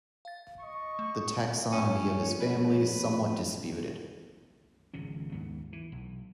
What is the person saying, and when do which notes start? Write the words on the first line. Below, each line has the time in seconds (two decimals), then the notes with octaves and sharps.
The taxonomy of this family is somewhat disputed.
0.25 F5 A6
0.60 D#5 C#6
0.99 A3
1.72 F1 C#4 C#5
2.40 B4
4.94 G#1 C#3 F3 C#4
5.32 D#2 G#2 B3
5.73 E3
5.92 B1